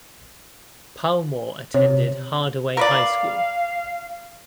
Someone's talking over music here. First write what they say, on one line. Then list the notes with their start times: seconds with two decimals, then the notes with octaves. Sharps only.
Palmore attended Hardaway High School.
1.74 C3 C#5
2.77 A#4 B4 D5 F5